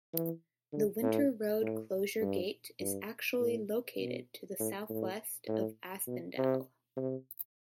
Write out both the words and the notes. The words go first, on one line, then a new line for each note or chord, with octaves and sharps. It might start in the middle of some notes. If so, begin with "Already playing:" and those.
The winter road closure gate is actually located to the southwest of Aspendell.
E3
D3
A2
A2
G2
G2
A2
B2
A2
A2
A2
B2
C3
C3